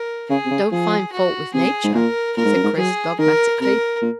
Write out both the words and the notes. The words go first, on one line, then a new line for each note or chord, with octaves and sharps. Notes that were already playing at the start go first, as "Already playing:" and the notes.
"Don't find fault with nature," said Chris dogmatically.
Already playing: A#4
C#3 G#4
C3
C#3
F3 G#4
F#4
C3 G#4
G#2
A#2 A#4
A#2 A#4
G#2
F#2
G#2
F#3 G#4
D#3 A#4
C3 A#4
A#2